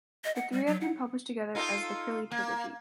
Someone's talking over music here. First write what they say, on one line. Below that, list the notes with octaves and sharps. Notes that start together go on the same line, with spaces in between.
The three have been published together as "The Crilly Trilogy".
D#5
F#5
G3
F#3
F#5
D#4 F4 A4
A#3